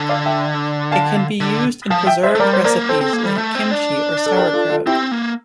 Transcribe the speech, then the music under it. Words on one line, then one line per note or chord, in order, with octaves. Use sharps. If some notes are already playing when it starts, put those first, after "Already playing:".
It can be used in preserved recipes like kimchi or sauerkraut.
Already playing: D3
D5 F5
E5 G5
F5 A5
D3
F3 F5 A5
E5 G5
C5 E5
A3
G3 A#4 D5
C5
A#3 A#4 D5
C4 A4 C5
C4
A#3
G3
A3
C4
D4
A4
G4 A#4
F4 A4
F4 A4
C4 E4 G4
A#3